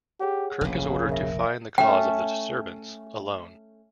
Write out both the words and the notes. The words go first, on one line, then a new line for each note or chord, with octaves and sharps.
Kirk is ordered to find the cause of the disturbance, alone.
G4 G#4 C#5 F#5
F1 A#1 C#3
A#4 E5 A#6
A3 C#4 G5